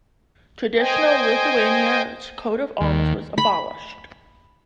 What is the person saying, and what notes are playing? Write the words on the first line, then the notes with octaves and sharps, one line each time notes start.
Traditional Lithuania's coat of arms was abolished.
C5 D#5 G5 G#5
D#2
B5